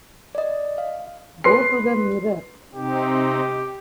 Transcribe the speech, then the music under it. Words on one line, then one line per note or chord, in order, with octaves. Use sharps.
Go to the Mirror!
D5 D#5
F5
B4 C6 C7
C3 C4 D#4 G4